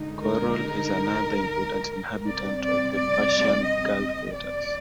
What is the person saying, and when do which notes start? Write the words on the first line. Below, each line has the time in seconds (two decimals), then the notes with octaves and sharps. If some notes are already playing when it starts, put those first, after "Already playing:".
Coral is another important inhabitant of the Persian Gulf waters.
Already playing: D3 G#3 D#4
0.23 A#4
2.27 C3 G3 C4 D5
2.62 D5
2.97 D5
3.65 D#5
4.33 D5